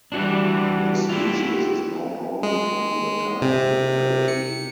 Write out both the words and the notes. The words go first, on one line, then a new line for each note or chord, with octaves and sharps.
The species is known only from the type locality.
E3 G3 D4 F#4
E4 F4 G4
G#3
C3
C#7